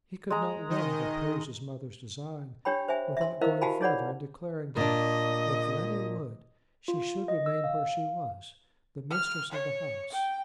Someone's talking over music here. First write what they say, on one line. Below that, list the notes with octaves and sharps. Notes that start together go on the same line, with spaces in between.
He could not well have opposed his mother's design without going further and declaring that, if Letty would, she should remain where she was, the mistress of the house.
G#3 A#5
D#3 D#5
D4 G4 C#5 G5 B5
C5 E5 G#5
E5 C6
E4 A#4 C5 D#5 F5
F#4 G4 F5 G#5 A5 B5
D#4 G#4 C#5 D5 F#5 B5
A#2 D4 D#5
F4
D#5
E6
F5
F6
C#5
G5